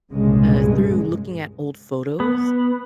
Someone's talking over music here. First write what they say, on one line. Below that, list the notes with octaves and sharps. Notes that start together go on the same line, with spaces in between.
uh through looking at old photos,
C2 G2 A#2 C#3 G#3
B3